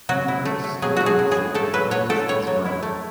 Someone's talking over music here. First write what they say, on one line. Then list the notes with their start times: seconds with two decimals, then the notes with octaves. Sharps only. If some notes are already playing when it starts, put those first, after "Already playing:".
He wrote stories and plays as well.
0.09 F#3 F#4
0.28 E4
0.45 A3
0.64 A3
0.82 F#3 G#4
0.97 A3 F#4
1.06 G#4
1.19 A2
1.32 G#4
1.37 A2
1.54 A3 A4
1.73 F#3 B4
1.91 F#3 C#5
2.09 A3 A4
2.28 A2 C#5
2.47 F#3
2.65 E4
2.83 A3